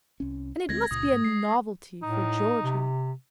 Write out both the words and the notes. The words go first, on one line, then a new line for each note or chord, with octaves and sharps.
And it must be a novelty for Georgey.
C2 C#4
D2 G#3 C4 G#6 A#6
C#2 A#2 D#6
G#2
G#3 C7
A2 D#4
C3